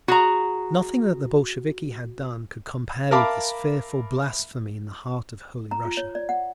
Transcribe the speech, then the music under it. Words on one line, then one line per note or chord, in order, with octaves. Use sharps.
Nothing that the Bolsheviki had done could compare with this fearful blasphemy in the heart of Holy Russia.
F#4 G#4 A#5
A#4 E5 F5 A5 B5 D6
A#5
F4
C#5
D5
F#5